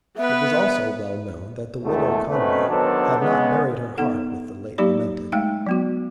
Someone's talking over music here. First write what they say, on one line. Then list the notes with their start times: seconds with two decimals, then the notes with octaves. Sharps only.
It was also well known that the Widow Conway had not buried her heart with the late lamented.
0.17 B3 B4 E5
1.83 G#1 E2 A3
2.30 B2 A3 C4 C#4 D#4 B4
2.69 D#3 F#3 B3 C4 D4 A4
3.19 C#3 G#3 B3
3.98 B3 D#4 A4 F#5
4.78 F#3 A#3 D#4 G4 D5 B5
5.32 G#3 A3 D#4 F5 G5
5.66 F#3 B3 F#4